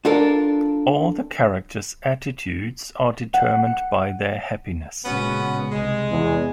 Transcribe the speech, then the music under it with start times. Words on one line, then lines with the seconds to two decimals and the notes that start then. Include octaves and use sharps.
All the characters' attitudes are determined by their happiness.
0.05 D4 F4 A4 A#4
3.34 F#5
3.67 C#7
5.05 A#2 C#3 G#3 B3 C#4 F#4
5.72 C2 G#3
6.11 E2